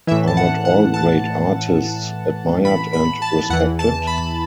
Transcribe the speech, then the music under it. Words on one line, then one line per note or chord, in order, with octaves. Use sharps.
Are not all great artists admired and respected?
A2 E3 E5
A5
F#5
F#5
A5
B5
B5
A5
E2 E3 F#5
A5
B5